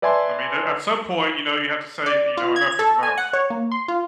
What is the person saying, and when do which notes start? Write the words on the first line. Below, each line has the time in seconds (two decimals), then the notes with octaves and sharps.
I mean the at some point, you know, you have to say, y you know, enough is enough.
0.02 B4 D5 E5 G#5 A5 C6
2.06 D5
2.37 F4
2.56 G#6
2.79 A4
3.03 G#5
3.18 F#5
3.33 C#5
3.50 A#3
3.72 C6
3.88 F4